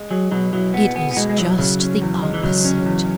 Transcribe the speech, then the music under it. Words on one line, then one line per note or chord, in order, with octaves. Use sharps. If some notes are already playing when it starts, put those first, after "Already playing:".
It is just the opposite.
Already playing: G#3
F#3 G#4
B2 F#3
F#3 E4
G#3 B3
B3 G#4
B3
B2 G#3
G#3
F#3 E4
C#3 F#3
C#4
E2
G#3
E3
C#3 F#3
C#4
E2